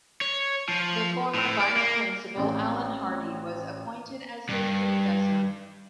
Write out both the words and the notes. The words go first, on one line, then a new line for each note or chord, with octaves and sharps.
The former Vice-Principal, Allan Hardy, was appointed as his successor.
C#5
F3
A2
D5
A#3
A1 C4 D5
G2